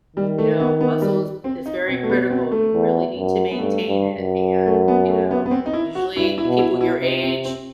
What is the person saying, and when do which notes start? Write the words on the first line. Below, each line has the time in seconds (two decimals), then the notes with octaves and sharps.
you know, muscles is very critical. You really need to maintain it. And, you know, usually people your age,
0.16 D#3 G3
0.38 A3
0.60 B3
0.81 B3
1.02 G3
1.44 C4
1.66 D#4
1.87 B2 C4
2.03 A3
2.10 B3
2.30 C4
2.52 A3
2.74 E2
3.16 F#2
3.51 B3
3.59 G2 A3
3.88 G2
4.16 F#2
4.66 A3
4.88 B3
5.09 A3
5.31 B3
5.46 B3
5.51 C4
5.66 D#4
5.73 E4
5.95 F#4
6.16 G2 E4
6.38 E4
6.44 B2
6.59 E4
6.72 B2
6.81 E4
7.01 C3 D#4
7.22 C4
7.45 C4